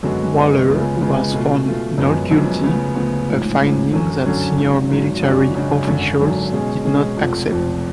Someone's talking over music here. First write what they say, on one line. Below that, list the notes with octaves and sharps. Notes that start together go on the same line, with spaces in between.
Waller was found not guilty, a finding that senior military officials did not accept.
F#2 D3 G#3 B3 F#4
F#2 D3 G#3 B3 F#4
C#2 C#3 G#3 B3 F4
C#2 C#3 G#3 B3 F4
B2 A3 F4
B2 A3 F4
F#1 F#2 F3 G#3 B3
F#1 F#2 F3 G#3 B3
D2 C#3 F3 B3
D2 C#3 F3 B3
A1 G#2 F3
A1 G#2 F3
F#2 D3 F#3 C#4
F#2 D3 F#3 C#4
G#1 G#2 F#3
G#1 G#2 F#3
F#2 C#3 G#3 D4 F#4
F#2 C#3 G#3 D4 F#4
G#1 F#2 D3 F#3
G#1 F#2 D3 F#3
B2 G#3 C#4 G#4
B2 G#3 C#4 G#4
F1 F2 F3
F1 F2 F3